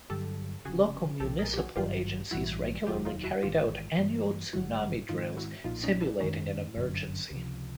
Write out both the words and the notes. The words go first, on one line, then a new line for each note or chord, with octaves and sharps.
Local municipal agencies regularly carried out annual tsunami drills simulating an emergency.
G2 D3 F#3 G4 A4
F1 F2 C#3 F#4 G#4
B1 A#2 F3 G4 A4
G#4 A#4
G4
F#4 G#4
G#1 G2 D#3 F#3 F4 G4
A#1 G#2 E3 G3 E4 F#4
F1 D#2 C#3 F#3 F4 G4
D#4 F4
E4 F#4
A1 G#2 D#3 F4 G4
G2 E3 G3 A#3
G#1 G2 D3 G3 E4 F#4
G#2 D#3 G#3 C4 D#4 F4
E4 F#4
B1 A#2 F3 D#4 F4
C#4 D#4
D4 E4
F#2 D#3 G#3 B3 C#4 D#4
G1 F#2 D3
C#2 C3 F3